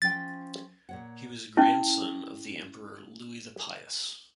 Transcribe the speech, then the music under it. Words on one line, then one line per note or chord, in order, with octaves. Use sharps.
He was a grandson of the Emperor Louis the Pious.
F3 C#4 G5 A6
A#2 C#5 F#5
C#4 E4